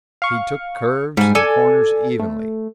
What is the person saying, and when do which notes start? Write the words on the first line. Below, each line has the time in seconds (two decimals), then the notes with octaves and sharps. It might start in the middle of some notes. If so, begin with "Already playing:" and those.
He took curves and corners evenly.
0.22 F5 C#6
1.17 G#2 G3 G#5
1.35 A4 D5 G#5
2.20 A3